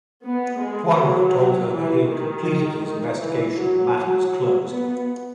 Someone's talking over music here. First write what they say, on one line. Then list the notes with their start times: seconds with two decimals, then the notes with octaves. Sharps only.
Poirot told her that he had completed his investigation and the matter was closed.
0.24 B3
0.61 G#3
0.98 F#3
1.72 E3
2.09 D#3
2.83 D#3
3.20 E3
3.57 F#3
4.68 B3